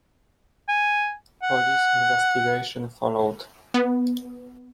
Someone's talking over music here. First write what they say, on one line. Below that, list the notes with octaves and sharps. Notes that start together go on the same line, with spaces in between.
Police investigation followed.
G#5
F#5
B3